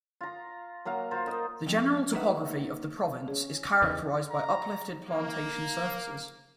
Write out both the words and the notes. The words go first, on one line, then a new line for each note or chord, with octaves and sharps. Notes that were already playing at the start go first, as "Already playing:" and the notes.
The general topography of the province is characterized by uplifted plantation surfaces.
F4 A#5
F#3 A#3 F5 A#5
F4 A#4 C5
D#4 A#4 D#5
F2
A#3 D#4 A#4 B4 E5 F#5
C#4 G#4
E2 C#3 E3 D#5
A#5
A#3